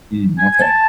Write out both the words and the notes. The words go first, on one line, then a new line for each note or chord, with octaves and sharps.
Mm, okay.
G#5
G#5
A5